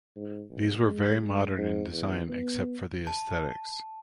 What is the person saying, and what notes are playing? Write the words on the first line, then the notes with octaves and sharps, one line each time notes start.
These were very modern in design except for the aesthetics.
G#2
B1
G#3
G#3
G#2
E2
B3
A5